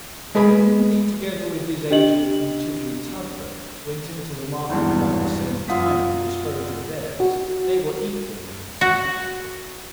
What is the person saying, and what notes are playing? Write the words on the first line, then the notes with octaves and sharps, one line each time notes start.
When Undy, together with his agent from Tillietudlem, went into the market about the same time to dispose of theirs, they were equally unsuccessful.
G#3 G#4 B4 B5
D4 G4 D#5 F#7
G#1 E2 G2
F#2 F4 F#5 D#6 B6
F#4
F#4